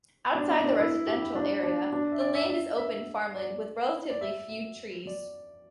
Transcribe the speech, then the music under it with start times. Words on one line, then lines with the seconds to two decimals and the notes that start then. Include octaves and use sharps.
Outside the residential area the land is open farmland, with relatively few trees.
0.35 D4
0.50 D4
0.64 D4
0.79 E4
1.07 G4
1.21 E4
1.35 D4
1.63 D4
1.93 D4
2.12 E5
2.21 D5
2.35 E5
2.49 E5
2.78 E5
3.36 D5
4.10 D5
4.21 E5
4.49 E5
5.07 D5